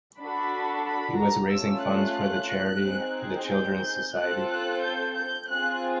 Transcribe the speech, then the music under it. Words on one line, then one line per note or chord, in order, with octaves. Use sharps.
He was raising funds for the charity The Children's Society.
D4 F#4 A4 B5
B5
A#5
A3 C#4 F4 E6
F#6
C4 D#4 G#4
G6
C4 F4 A4 F#6
F#6
G6
G6
C4 F4 G#4 F#6